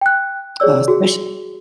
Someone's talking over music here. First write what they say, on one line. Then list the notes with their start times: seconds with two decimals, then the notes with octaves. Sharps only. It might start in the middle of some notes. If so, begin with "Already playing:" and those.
uh, especi
0.01 G5 F#6
0.60 G#4 C#5 D5 E6
0.88 F#4 G#4